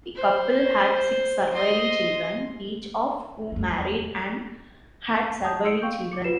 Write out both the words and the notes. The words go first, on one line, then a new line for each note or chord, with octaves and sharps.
The couple had six surviving children, each of whom married and had surviving children.
C5
D#5 C6
E2 G3
A5 D#6 G6
C6 E6 C#7 D7
F5 G5 C#6 G6
D6 C#7
F4 F#4 B4 C7 E7